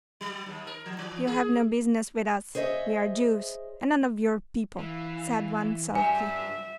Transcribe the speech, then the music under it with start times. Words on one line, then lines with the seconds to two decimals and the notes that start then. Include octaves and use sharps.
'You have no business with us: we are Jews, and none of your people,' said one sulkily.
0.21 F#3
0.46 D#2
0.67 A#4
0.86 F3
0.98 E3
1.27 G#4
2.55 G#4 C5 C#5 D#5 E5
4.79 E3 F5
5.95 G3 D4 E5 G#5